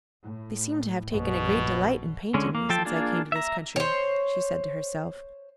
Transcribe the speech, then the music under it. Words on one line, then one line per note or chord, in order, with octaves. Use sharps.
'They seem to have taken a great delight in painting me since I came to this country,' she said to herself.
A2
A#1 F#2 B2
D3 G#3 C#4
A#3
F3 A4 G5 A5
A#3 D4 F4 G#4
E5 A#5
C5 C#5